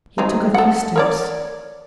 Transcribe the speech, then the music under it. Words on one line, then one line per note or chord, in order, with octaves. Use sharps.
He took a few steps.
F#3 C4 D#4
A4 F#5
A#4 C#5 D5